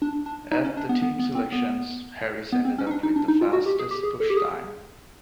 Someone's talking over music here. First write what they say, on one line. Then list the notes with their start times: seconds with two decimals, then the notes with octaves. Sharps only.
At the team selections, Harris ended up with the fastest push time.
0.02 D4
0.26 D4
0.52 D#4
0.65 C#4
0.77 D4
0.89 B3
1.02 B3
1.19 B3
1.35 C4
1.52 B3
2.52 B3
2.65 C4
2.78 C#4
2.87 D#4
2.91 D4
3.03 D#4
3.16 D4
3.28 D#4
3.41 F4
3.53 F#4
3.66 G4
3.79 G#4
3.91 G4
4.03 G#4
4.20 A4
4.30 G4
4.37 G#4